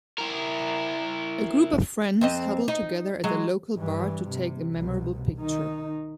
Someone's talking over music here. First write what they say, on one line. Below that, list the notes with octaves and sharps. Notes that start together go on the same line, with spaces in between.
A group of friends huddle together at their local bar to take a memorable picture.
E4 A#4
F2 C4 D#5
D#4
F#3 G#3
G2 E3
C3
C2 B2
D#3 D#4